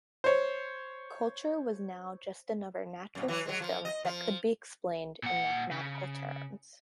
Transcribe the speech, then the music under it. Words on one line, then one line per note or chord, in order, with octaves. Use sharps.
Culture was now just another natural system that could be explained in mathematical terms.
C5 C#5
F#2 A#2
E3 F#3
F#3 G#3
F3
D#5
F3
A#2 F#5
C#3